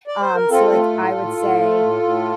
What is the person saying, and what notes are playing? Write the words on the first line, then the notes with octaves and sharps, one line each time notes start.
Um, so like, I would say
D5
C5
A#4
C4 F4 A4
A3
A2
A2
A2
A3
A2
A2